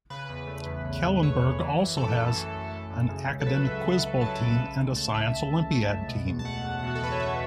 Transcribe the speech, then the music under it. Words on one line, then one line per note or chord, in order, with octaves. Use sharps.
Kellenberg also has an Academic Quiz Bowl team and a Science Olympiad team.
C#3 B4
E2
A3
E2
C#3
E2
A3 C#5
E2
E3
F#2
A3 A4
F#2
E3
F#2
A3
F#2
C#3
C#2
A4
F#3 B4
C#2 E5
C#3
C#2
F#3 A5
C#2
C#3
C#2
A3 A5
C#2 E5
C#3
C#2
A3 E5
C#2
B2
E2
A5
A3 F#5
E2
B2 F#4
A4
E2 B4
C#5
A3 E5